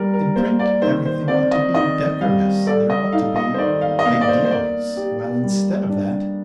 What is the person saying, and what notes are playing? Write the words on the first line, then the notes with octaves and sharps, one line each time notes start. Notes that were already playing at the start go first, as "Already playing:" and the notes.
In print everything ought to be decorous; there ought to be ideals, while instead of that....
Already playing: G3 A#4 D5
A#4
A#3 C5
D5
D#3 C5
C5
C4 D5
D#5
D#3 D#5
G3 F5
A4 D5
D#5
D#4 F5
D#5
C5
D#3 D5
F5
D#5
A#3 F5
D5
C5
C5
A#4 D5
G4
G3
D4